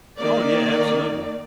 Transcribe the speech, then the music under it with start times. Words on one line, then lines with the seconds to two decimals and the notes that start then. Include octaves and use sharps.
Oh, yeah. Absolutely.
0.19 D#3 A#3 D5